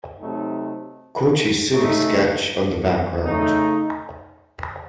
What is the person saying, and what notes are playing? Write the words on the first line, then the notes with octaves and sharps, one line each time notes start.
Kochi city sketch on the background.
C3 F#3 A3 D#4
C#3 A3 D#4
C#3 A3 D#4